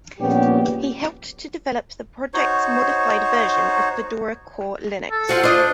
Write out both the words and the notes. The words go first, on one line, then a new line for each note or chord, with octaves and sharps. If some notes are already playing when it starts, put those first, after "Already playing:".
He helped to develop the project's modified version of Fedora Core Linux.
A#1 A#2 G3 B3 C#4 G4
D#4 F#4 C5 C#5
A4
F4 F#4 C5
D4 F4 D#5